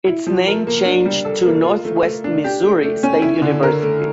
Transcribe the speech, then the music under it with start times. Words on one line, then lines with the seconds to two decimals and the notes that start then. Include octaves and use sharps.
Its name changed to Northwest Missouri State University.
0.07 E4
0.26 F3
0.47 A#4
0.67 A#3
0.85 D4
1.06 G3
1.25 A4
1.45 A#3
1.64 F4
1.85 A3
2.04 A3
2.24 D4
2.44 G4
2.63 A3
2.83 A3
3.03 C#4
3.22 E4
3.42 D3
3.63 A#4
3.82 A3